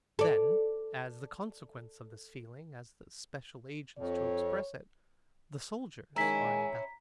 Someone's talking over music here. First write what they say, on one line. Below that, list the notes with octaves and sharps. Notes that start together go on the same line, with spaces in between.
Then as the consequence of this feeling, as the special agents to express it, the soldiers are in battle.
A4 D5
F2 C#5
D#3 G#3 C#4 E4 G#5 A#5 B6